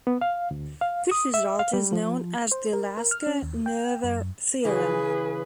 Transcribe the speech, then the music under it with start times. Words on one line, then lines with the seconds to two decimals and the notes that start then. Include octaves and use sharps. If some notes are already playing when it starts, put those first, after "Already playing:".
This result is known as the Lasker-Noether theorem.
0.07 B3
0.21 F5
0.51 D2
0.81 F5
1.11 D#6
1.34 E5
1.59 F5
1.73 G3
1.92 F3
2.52 C5
2.73 A#4
2.97 A#4
3.11 F6
3.27 C#4
3.43 D#2
3.66 G5
4.04 F#2
4.65 C#3 E3 G#4 B4